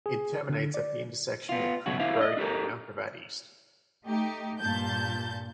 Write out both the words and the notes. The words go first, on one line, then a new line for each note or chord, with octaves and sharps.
It terminates at the intersection with Creek Road in Mount Gravatt East.
G#4
D3
D5
B3 F4
G2 B2 F#3 F#4
D4 E4 C5 F5
D5 D#5
D4 G4 A4 A#4
A3 D#4 G4
G2 A#2 A5 G6